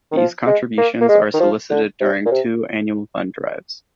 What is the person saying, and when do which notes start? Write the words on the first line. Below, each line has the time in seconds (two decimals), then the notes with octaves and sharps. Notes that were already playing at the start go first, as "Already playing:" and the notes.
These contributions are solicited during two annual fund drives.
0.12 D#3
0.16 F3
0.46 G#3
0.77 A#3
1.01 A#3
1.08 G#3
1.34 D#3
1.40 F3
1.70 D3
2.00 C3
2.25 A#2
2.31 C3